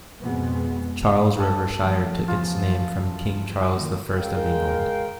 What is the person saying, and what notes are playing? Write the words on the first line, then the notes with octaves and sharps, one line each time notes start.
Charles River Shire took its name from King Charles the First of England.
F2 B2 G#3 B3 C4
G4 A4 D#6
F3 A3
E2 C#4 F4
D#3 A#3
G#3 A#4 F5 G5